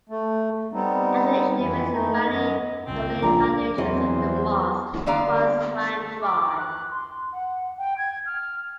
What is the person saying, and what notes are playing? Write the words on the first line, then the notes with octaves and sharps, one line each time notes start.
After initially raising money to lay the foundations of the mosque, funds ran dry.
A3
G3 B3 C4 D#4
F2 E3 E4
A3 D#4
F#2 D#5
C#2 C4
A#1 D5 G5 A#5
E2 E3 F#3 C4 C5 D#5
D3 G3 B3 D5 F5 A#5
D6
F#6
C6
F#5
G5
G#6
F6